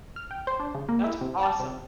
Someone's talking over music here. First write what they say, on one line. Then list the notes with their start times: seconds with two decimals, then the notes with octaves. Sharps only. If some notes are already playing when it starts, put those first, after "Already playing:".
That's awesome.
0.16 F6
0.31 G5
0.47 C5
0.59 D4
0.75 C#3
0.89 A#3
1.04 E4
1.21 C3
1.43 A5
1.60 C3